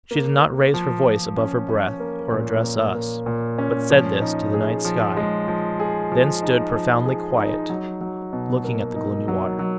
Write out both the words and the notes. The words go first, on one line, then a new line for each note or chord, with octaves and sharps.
She did not raise her voice above her breath, or address us, but said this to the night sky; then stood profoundly quiet, looking at the gloomy water.
A#3
A#3
F3
F3
C#4
C#4
A#3
A#2
A#3
A#3
A#2
C#4
F3
D#4
G#4
F3
G#3
F3
G#4
F3
D#4
F3
G#4
D#4
F#3
F#3
B2
A#3
D#4
F#3
F#3